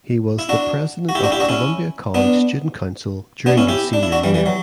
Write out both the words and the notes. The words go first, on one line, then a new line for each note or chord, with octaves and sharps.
He was the president of Columbia College Student Council during his senior year.
E4
D4 F#4
F#4
E4 G4
D4 F#4
E4 G4
D4 F#4
C#4 E4
B3 D4
B3 D4
C#4 E4
E4 G4
D4
E4
D4 F#4
E3 G3
E3 G3
F#3